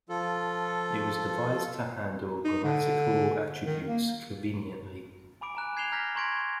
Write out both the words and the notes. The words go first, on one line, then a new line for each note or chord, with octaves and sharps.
It was devised to handle grammatical attributes conveniently.
F3 F4 A4
D#4
D3
D#3
A#3
G#5 B5 D6 D7
G#5 A#5 F#6
G#6 C7 E7 F7 G7
A#5 F6 G6 A#6 B6
A#5 C6 C#6 G#6 A#6 D7